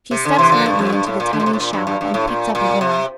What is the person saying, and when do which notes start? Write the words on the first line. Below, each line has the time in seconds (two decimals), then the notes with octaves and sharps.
She stepped lightly into the tiny shallop and picked up an oar.
0.11 C3
0.25 D3
0.38 C3 E3
0.52 D3 F3
0.66 G2
0.79 F2
0.93 G2
1.06 A2
1.20 A#2
1.33 D3
1.40 A#2
1.46 C3
1.53 A2
1.60 A#2
1.73 G2
1.87 G2
2.01 G2
2.14 A2
2.28 A#2
2.55 A#2
2.81 C3